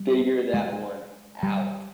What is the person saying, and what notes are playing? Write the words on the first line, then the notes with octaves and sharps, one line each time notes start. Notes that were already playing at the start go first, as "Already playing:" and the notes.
figure that one out.
Already playing: G3
G#3
G3